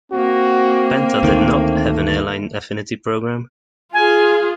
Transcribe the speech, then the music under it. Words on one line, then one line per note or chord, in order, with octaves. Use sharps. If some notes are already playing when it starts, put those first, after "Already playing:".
Penta did not have an airline affinity program.
A#3 C4 F#4
D2 D#3 A3
F4 G#4 G#5